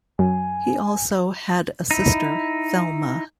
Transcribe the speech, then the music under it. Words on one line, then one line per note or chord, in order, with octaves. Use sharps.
He also had a sister, Thelma.
F#2 G#5
D#4 E4